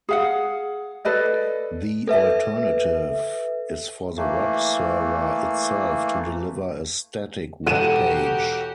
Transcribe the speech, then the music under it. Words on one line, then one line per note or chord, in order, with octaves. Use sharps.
The alternative is for the web server itself to deliver a static web page.
G#4 F5 F#5
A4 B4 D5 D#5
A4 B4 E5
E3 A3 A#3
E1 F#4 G4 A4 F#5 D#7 E7